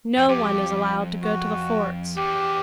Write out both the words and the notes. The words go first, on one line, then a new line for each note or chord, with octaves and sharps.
No one is allowed to go to the forts.
F2
F2 G4
F#4
E2 G4